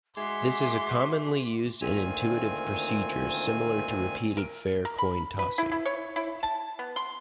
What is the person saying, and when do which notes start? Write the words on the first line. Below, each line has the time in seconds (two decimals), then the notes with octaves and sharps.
This is a commonly used and intuitive procedure, similar to repeated fair coin-tossing.
0.17 G#3 F#4 E5 C6 D6
1.81 D2 A#2 D#3 C4 G#5
4.37 A#4
4.85 A#4
4.98 B5
5.39 B4
5.58 E4
5.72 E4
5.86 C#5
6.16 E4
6.43 A5
6.79 B3
6.96 C6